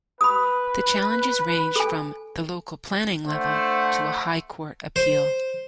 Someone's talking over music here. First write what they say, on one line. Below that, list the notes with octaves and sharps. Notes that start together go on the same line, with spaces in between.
The challenges ranged from the local planning level to a High Court appeal.
B4 B5 D#6
A4 G#5
A3 D4 C5 F#5
C5